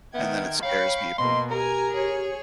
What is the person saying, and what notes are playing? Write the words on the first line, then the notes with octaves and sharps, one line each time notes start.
And then it scares people.
D#3 B3 E5 G5 G#6
C#5 F5 G5 B5 C#6
B2 A#3 D#5 C6
G4 A#4 G#5 A#5
G#4 C#5